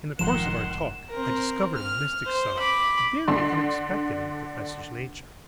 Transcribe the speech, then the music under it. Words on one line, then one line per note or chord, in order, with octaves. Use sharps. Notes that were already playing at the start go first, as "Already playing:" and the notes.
In the course of our talks I discovered a mystic side, very unexpected, in the professor's nature.
F1 G#2 D#3 F3 F#5 C6 E7
C4 A#4
F6
C5
B5 D6
D3 D4 C6